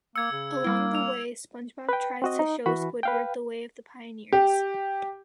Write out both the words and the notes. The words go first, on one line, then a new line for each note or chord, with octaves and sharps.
Along the way, SpongeBob tries to show Squidward the way of the pioneers.
A#3 E6 G#6 C#7
C#3
G3 A#3 E4
E6 F7
B4 G5
C4 F#4 D#5
D#4
E3 F#4 B5
B4 F5 G5
G4